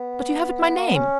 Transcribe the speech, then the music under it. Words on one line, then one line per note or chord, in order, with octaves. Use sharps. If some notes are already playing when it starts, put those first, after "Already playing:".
But you haven't my name.'
Already playing: B3
A#3
B3
C#4